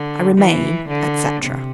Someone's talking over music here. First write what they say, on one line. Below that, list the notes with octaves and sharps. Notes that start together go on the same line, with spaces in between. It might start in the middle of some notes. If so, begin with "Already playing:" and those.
I remain, etc.
Already playing: D3
E3
D3
C3